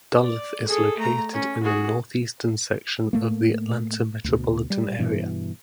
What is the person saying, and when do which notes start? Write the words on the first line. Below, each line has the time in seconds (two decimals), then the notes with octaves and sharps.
Duluth is located in the northeastern section of the Atlanta metropolitan area.
0.23 D5
0.68 G#4 A4
0.97 A3 A#5
1.33 C#4
1.63 F#4 G#4
3.13 A2 A3 A#3
4.24 D2 B2
4.70 G3
4.99 G2 B2 E3